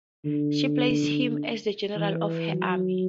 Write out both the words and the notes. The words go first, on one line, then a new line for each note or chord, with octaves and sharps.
She placed him as the general of her army.
D3
E3
F#3